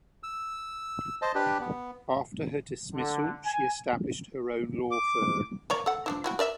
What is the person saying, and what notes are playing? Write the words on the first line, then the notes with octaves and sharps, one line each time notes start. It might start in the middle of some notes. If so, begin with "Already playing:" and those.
After her dismissal she established her own law firm.
E6
C5 D#5 A5
D4 G4 B4
B3
D3
G#5
D6
A#3 C#5 D5
A4 F#5
F3 D4 E4
E4 F#4 G5
A#4 D5 E5